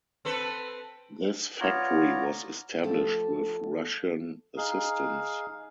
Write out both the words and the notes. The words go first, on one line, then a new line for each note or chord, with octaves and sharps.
This factory was established with Russian assistance.
C4 A4 B4
B3 F4 C#5 D5 A#5
F3 A3 G4 A4 A5
D#4 G#4 F5